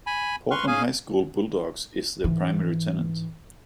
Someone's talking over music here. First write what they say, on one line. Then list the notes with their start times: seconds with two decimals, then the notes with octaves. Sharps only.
Portland High School Bulldogs is the primary tenant.
0.07 G#5 B5
0.51 B4 C6 C#6 F6
0.67 C#4 G#4 F5 G#5
2.24 G#2 E3